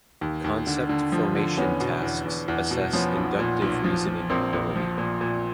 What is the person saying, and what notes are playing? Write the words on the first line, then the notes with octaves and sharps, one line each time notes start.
Concept Formation tasks assess inductive reasoning ability.
D#2
D#2
D3
D3
F3
D3
E2 B3 C#4
B2
E2
E2
E2
B2
F3 B3 C#4
B1
A#2
B1
F3
F3
A#1 A#3 C4
A#1
F3
A#2
A#2